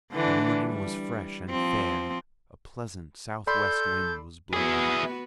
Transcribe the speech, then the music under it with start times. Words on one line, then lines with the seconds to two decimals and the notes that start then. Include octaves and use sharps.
The morning was fresh and fair; a pleasant southwest wind was blowing.
0.11 D3 E3 D4
0.62 G3
1.50 F3 C4
3.47 A4 D5 B5 C6 G6
4.53 B3 E4 F#4 G#4 B4